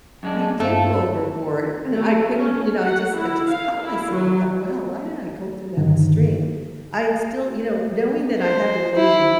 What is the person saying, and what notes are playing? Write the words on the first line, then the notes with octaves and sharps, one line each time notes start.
you do go overboard," and then I couldn't you know, I just it just caught myself. I thought, "Wow, why did I go through that extreme?" I'd still, you know knowing that I had to leave,
F#2 G#3 D4
G2 A3 A4 C5 F5
A3
C#4
F#5
E4
F5
E4
F#3
G2 D3 D#3
C5
E4